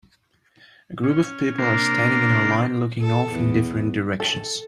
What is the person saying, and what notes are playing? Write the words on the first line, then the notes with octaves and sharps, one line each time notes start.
A group of people are standing in a line looking off in different directions.
C#4
C3 A#3 D4 A#4 C5
A4
E2
A4